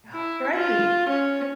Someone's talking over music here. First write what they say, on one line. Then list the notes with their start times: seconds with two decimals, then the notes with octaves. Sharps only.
Oh, great.
0.15 E4
0.55 F4
1.10 C#4